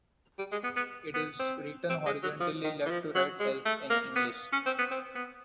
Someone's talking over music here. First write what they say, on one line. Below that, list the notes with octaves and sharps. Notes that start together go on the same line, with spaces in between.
It is written horizontally left to right, as in English.
G3
G#3
B3
B3
B3
C4
C4
G#3
F#3
F3
D#3
E3
F3
F#3
G#3
A3
A#3
B3
C#4
C4
B3
C4
B3